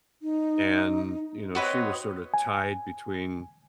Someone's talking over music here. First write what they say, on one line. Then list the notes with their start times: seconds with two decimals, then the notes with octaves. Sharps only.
And, you know, she was sorta tied between
0.22 D#4
1.55 C4 F#4 B4 C#5 D#5
2.34 G#5